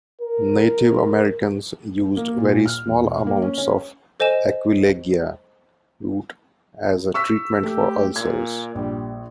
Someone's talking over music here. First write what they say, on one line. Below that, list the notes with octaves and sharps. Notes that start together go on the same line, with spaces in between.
Native Americans used very small amounts of "Aquilegia" root as a treatment for ulcers.
A#4
A#3
A#2
F6
E1
A#3
C#4
C#4
A4 C5 D#5 G#5 E7
C#6 E6 B6
A3 G4
A#2 G#6
A#1 G3